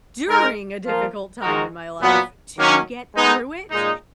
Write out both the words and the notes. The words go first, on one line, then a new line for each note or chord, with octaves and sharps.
during a difficult time in my life to get through it
G#3 D#4 A#4
F3 A#3 F4 A#4
D#3 G#3 D#4 F#4 A#4
A#2 F#3 B3 F#4
D#3 F#3 A#3 C#4
G#3 B3 D#4
A#2 G#3 D#4